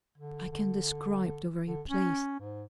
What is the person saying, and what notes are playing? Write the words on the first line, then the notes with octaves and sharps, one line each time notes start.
I can describe the very place.
D3
D3
D3
C#4
G#2